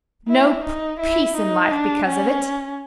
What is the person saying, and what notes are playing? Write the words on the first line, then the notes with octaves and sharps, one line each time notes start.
No p--peace in life because of it.
E4
D#4
E4
D#4
D4
C#4